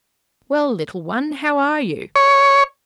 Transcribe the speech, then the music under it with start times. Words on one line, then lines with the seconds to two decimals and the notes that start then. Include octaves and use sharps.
'Well, little one, how are you?
2.16 C#5